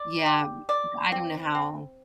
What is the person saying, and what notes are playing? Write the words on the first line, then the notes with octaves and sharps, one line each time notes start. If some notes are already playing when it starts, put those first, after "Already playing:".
Yeah m I don't know how
Already playing: D5
G4
D5
C4
C4